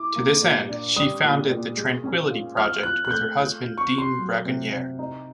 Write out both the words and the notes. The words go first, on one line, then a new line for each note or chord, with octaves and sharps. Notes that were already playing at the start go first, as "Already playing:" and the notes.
To this end, she founded "The Tranquility Project" with her husband Dean Bragonier.
Already playing: E4 D6
A#3
A#2
D4
G3 D#6
A#2
A#2
G#3
C#4
F4
F3 F6
F3 F#6
F#6
A3 G6
F4
F4
C#6
F4
C6
F#3
C3
C3
D#4